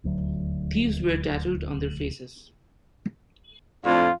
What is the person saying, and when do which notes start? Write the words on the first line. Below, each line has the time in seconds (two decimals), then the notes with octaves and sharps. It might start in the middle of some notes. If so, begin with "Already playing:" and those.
Thieves were tattooed on their faces.
0.04 D#1 D2 F#3
3.85 F2 A2 D4 F4